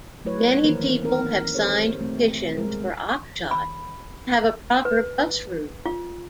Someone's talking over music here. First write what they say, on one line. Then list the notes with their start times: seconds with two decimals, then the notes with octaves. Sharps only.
Many people have signed petitions for Oxshott to have a proper bus route.
0.25 F#3 A3 E4 B4 C#5
0.63 D#3 E3 A#3 A#4 C5
1.03 C4 D#4 A#4
1.54 C4 G4 A4 C5 C#5
1.99 B2 A3 C4
2.57 G3 G#3 A#4
3.51 B5
4.85 B4
5.86 F4